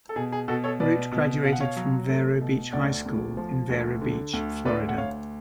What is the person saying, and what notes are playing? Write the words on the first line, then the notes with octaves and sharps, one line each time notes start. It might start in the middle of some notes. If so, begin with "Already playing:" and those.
Root graduated from Vero Beach High School in Vero Beach, Florida.
A4
B2 G#4
G#4
B2 F#4 A4
A4 C#5
B2 B4 D5
B2
B2 F5
F#5
C#5 F5
F#3
A3
B2
D2 D5 F#5
D2
F3
D2
D3
D2
D2 B4 D5
F#5
D2 C#5 F5